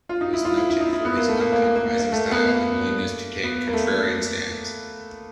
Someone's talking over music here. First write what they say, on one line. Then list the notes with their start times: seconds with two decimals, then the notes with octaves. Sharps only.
He was noted for his uncompromising style and willingness to take contrarian stands.
0.09 F4
0.21 D#4
0.33 E4
0.45 F4
0.57 E4
0.69 E4
0.80 D#4
0.93 E4
1.05 B3
1.17 A#3
1.28 A3
1.41 A#3
1.52 A#3
1.76 A#3
1.99 A#3
2.12 A3
2.31 B3
2.36 A#3
2.48 A#3
3.43 B3
3.67 A#3
3.73 A3